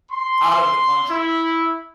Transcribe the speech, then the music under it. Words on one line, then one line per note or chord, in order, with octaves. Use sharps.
out of the country.
C6
E4